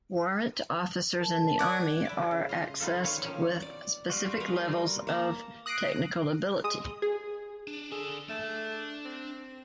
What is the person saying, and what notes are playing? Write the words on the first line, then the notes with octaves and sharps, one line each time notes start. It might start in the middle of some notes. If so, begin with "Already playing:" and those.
Warrant officers in the Army are accessed with specific levels of technical ability.
A#4 A5
D5 F#5 G#5
E4 D5
C#3
F4 D#5
B3 D#4 F4 A4
A#2 D#3 B4 C#5 F5
D#3 F3 C#4
D5
G3 F4 F#4
G#4 A#4 B4
A#3 A5 A#5
D#6 F#6 A#6 C7 D7
G#3 D#6
G#4
D4
D3 G#4 A4
A3 D4 A5
C4